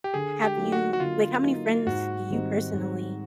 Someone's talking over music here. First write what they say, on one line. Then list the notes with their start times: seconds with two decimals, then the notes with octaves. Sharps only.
Have you like, how many friends do you personally
0.04 G4
0.14 D3 G#4
0.44 G4
0.57 F#3 A#3 D#4
0.72 F#4
0.93 F#4
1.00 D3 F4
1.43 F#3 A#3 D#4
1.86 G#2 F#4
2.30 D#3 G3 C4 D#4
2.73 G#2